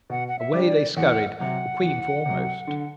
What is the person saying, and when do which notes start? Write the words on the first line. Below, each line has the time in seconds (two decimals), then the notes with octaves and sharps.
Away they scurried, the queen foremost.
0.10 B2 F#5
0.28 F#5
0.39 E5
0.53 G3 D4 G4
0.67 D5
0.96 E2 F#5
1.39 C3 F#3 F#5
1.82 E2
2.26 C3 F#3
2.67 D3